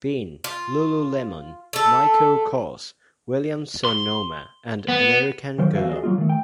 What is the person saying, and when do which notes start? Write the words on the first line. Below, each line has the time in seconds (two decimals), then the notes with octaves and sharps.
Bean, lululemon, Michael Kors, Williams-Sonoma, and American Girl.
0.44 F4
1.73 A3 A4
3.85 C6
4.88 B3
5.58 D#3 F3 F#3 A#4 C5
5.75 E2 B2 F3 F#4 E5 F5
5.90 F#4 G#4 A#4 D5 D#5
6.03 F#3 A#3 F4
6.18 D#3 A3
6.29 G5